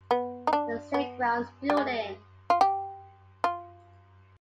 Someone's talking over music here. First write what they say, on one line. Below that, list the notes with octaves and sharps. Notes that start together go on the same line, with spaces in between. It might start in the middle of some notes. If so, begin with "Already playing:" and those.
The Seagram's Building!
B3
D#4
D4
B3
G3
G#3
F4
G4
F4